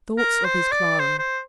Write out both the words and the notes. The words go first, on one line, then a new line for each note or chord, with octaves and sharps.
Thoughts of His Clara.
A#4
C5
D5
C5
C5